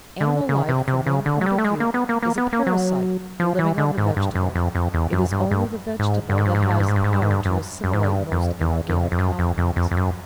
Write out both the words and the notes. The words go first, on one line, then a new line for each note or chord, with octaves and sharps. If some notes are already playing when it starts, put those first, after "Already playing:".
Animal life from one point of view is a parasite, living on the vegetable; it is only the vegetable that has power to assimilate most inorganic compounds.
D3
C#3
C3
C3
C#3
D3
F#3
G3
A3
G#3
A#3
B3
A#3
A#3
B3
A#3
F#3
F3
E3
D3
G#2
G2
F#2
F2
F2
E2
F#2
G2
G2
G#2
G2
G#2
G2
G#2
G2
G#2
G2
G#2
G2
G#2
G2
G#2
G2
F#2
F#2
G#2
G2
F2
E2
F2
F2
F#2
F2
F2
F2
F2
F#2